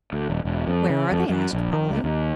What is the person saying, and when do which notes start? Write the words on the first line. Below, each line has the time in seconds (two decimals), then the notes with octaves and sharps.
"Where are they!" asked Polly.
0.13 D2
0.30 D#1
0.45 E1
0.67 F2
0.90 C#3
1.12 F2
1.29 F#2
1.53 A#1
1.73 D#3
1.90 C#2
2.04 D#2